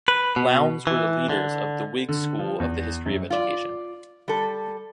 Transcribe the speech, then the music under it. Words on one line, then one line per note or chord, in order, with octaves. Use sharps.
Lowndes were the leaders of the Whig school of the history of education.
B4
B2
E3
D3
D3
F3
E2
F#2
F4 D5
G3 A4